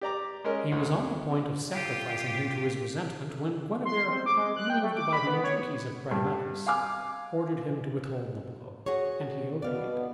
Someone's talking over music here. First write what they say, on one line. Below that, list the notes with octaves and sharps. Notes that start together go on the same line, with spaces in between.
He was on the point of sacrificing him to his resentment, when Guenever, moved by the entreaties of Brademagus, ordered him to withhold the blow, and he obeyed.
G4 D5 A#5 D6
G#3 C#4 A#4 D#5
D2
F4 G4
C6
C4
D6
G#3
F#6
G5
A3
D6
B5
B3
C#5
G2
F5 G#5 D6 F6
F#4 G#4 C#5
B2 B3 D5 F5